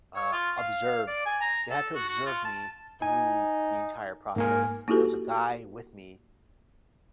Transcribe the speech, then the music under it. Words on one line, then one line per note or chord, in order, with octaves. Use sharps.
Uh, observe. They had to observe me through the entire process. There was a guy with me
C#5
F4
F5
D5
G#5
A#5
A4
F#4
F#4
F4
A5
D#4 G#5
G#2 A#3 A#4 G#5
A#3 D#4 E4 F#4 G4 A4